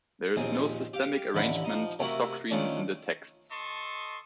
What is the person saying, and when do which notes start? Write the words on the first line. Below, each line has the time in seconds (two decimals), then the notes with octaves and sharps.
There is no systematic arrangement of doctrine in the texts.
0.37 A#1 D#2 C4 G#4
0.94 G4 F5
1.34 A1 D#2 D3 E4 B5
1.65 F3 D#4
1.99 C3 A3 A#3 E4 F#4
2.51 D#3 F3 A3 C#4 D4
3.51 A4 D#5 A5 C6 C#6